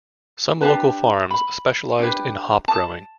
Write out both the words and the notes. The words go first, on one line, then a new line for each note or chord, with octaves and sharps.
Some local farms specialised in hop growing.
D4 G4 B4 A5
B5
D4 G4 B4
A5